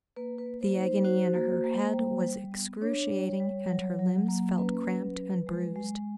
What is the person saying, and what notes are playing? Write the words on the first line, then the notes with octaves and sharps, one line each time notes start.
The agony in her head was excruciating, and her limbs felt cramped and bruised.
A#3 B4
B4
A#3
C5
D#4
C5
F#4 C5
A#3
A#3
G3
G3
B3
D4 C#5
G3
G3
F#3
F#3
A#3
C#4 B4
F#3
F#3
G#3
G#3